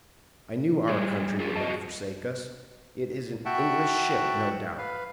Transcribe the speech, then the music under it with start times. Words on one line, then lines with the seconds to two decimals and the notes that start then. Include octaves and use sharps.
"I knew our country would not forsake us; it is an English ship, no doubt."
0.89 G3 G#4
1.40 F4 G#4
1.56 F#4 D#5 A5
3.46 F#4 E5 F#5 G5 A5
4.78 B4 F5